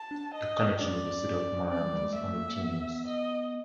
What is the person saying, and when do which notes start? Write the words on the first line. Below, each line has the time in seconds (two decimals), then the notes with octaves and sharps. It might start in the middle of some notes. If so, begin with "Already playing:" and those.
The connection with the city of Miami is only tenuous.
Already playing: A5
0.11 D4
0.34 D#5
0.80 C#4 D5
1.69 C4 D5
1.82 G3
1.93 G3
2.05 G#3
2.15 A3 E5
2.28 A3
2.37 A#3
2.61 B3
3.06 D#5